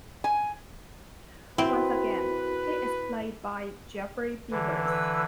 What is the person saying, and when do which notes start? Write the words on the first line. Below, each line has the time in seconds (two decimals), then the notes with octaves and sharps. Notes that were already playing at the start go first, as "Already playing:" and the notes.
Once again, he is played by Geoffrey Beevers.
0.24 G#5
1.58 C4 E4 F#4 A#4 B4
4.51 D3 E3
4.85 B4 C#6 E6